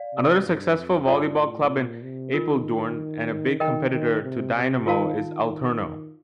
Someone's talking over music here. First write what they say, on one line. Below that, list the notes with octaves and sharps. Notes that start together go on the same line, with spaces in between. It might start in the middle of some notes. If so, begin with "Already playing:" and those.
Another successful volleyball club in Apeldoorn, and a big competitor to Dynamo, is Alterno.
Already playing: D5 F5
C3
G2
F2
G2 F4 A4 D5 A5 C6
A2
A#2
C3
D#3 D4 F4 A#4
D#3 A#4 D#5 G5 A#5
D#3
C3
C3
D#3 F4 A#4 F5 A5
D#3